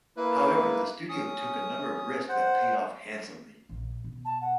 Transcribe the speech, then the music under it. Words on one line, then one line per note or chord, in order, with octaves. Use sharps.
However, the studio took a number of risks that paid off handsomely.
A#3 E4 B4
C#4 D#6
C5 F#5
A#1
B2
A5
F#5